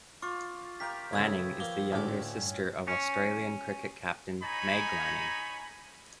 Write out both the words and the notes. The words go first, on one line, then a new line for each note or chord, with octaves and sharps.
Lanning is the younger sister of Australian cricket captain Meg Lanning.
F4 C#6 D6
G4 A#4 F5 G6 B6
A2 C#3 B4 E6 G#6
F3 A#3 G7
D2 A2 C#4 D6
G2
C#4
G#3 D#4 C#5 G#5 A#5 B5